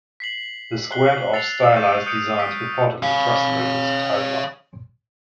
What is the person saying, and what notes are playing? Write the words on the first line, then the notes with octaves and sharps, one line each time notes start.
The squared-off stylized designs reportedly frustrated Tytla.
B6 C7 F#7
F#6 C7 G7
E6 A6 C7 C#7 F7
C#6 G6 D#7
D#6 F6 G6 C#7 D7 F7
B6 D7
C#5 F5